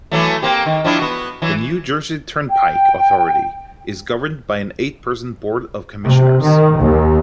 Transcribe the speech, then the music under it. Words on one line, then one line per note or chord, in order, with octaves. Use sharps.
The New Jersey Turnpike Authority is governed by an eight-person Board of Commissioners.
E3 F#3 A3
A#3 C4 G4
D#3
F3 D4 E4
B3 F#4
E3 F#3
G5
C3
D#3
D#2